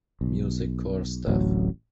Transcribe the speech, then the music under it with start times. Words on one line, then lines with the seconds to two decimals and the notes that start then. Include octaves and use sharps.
Music Core' staff.
0.21 B1
1.28 D1 A1 F#3